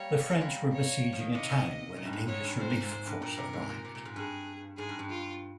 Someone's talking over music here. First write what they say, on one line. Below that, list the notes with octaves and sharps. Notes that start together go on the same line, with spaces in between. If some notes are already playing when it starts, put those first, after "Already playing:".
The French were besieging a town when an English relief force arrived.
Already playing: G3 A#3 C#5
G#3
G3 A#3
C#5
F3
D#3
C3 D#5
A#2
G2
G#2
G#2 C#5
G2
G#2 C5
A#2
G#2
G#2
G2
A#2 A#4
C3
G#2
A#2
C3
A#2
G#2
G2 G#4
G#2 G#4
G2
G2
F4